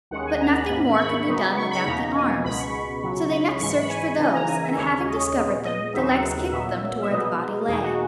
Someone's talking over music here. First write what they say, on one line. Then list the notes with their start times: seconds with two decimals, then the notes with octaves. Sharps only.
But nothing more could be done without the arms; so they next searched for those, and, having discovered them, the legs kicked them to where the body lay.
0.11 D#2 D#3 G#3 C#4 F#5
0.26 G#5
0.41 A#5
0.55 B5
0.69 G#2 D#3 A#3 B5
0.84 B5
0.94 C#6
0.99 B5
1.28 C#3 F#3 B3 D#4
1.57 C#6
1.71 B5
1.86 E2 B2 A#3 D#4 A#5
2.15 G#5
2.44 C#2 B2 G#3 B3 B5
2.59 C#6
3.03 C#2 C#3 F#3
3.32 B5
3.60 G#2 E3 G#3 C#6
3.70 C#6
3.80 B5
3.90 G#5
4.19 C#3 E3 A#3 D#4 G#5
4.33 A#5
4.48 G#5
4.62 E5
4.77 D#2 C#3 G#3 C#4 C#5
5.06 D#5
5.36 A#2 G#3 B3
5.65 D#5
5.93 D#2 C#3 F#3 B3 D#4 E5
6.08 F#5
6.51 A#2 F#3 B3 E5
7.02 E5
7.10 B2 G#3 B3 D#4 D#5
7.68 E2 B2 A#3 D#4 G#4
7.83 F#4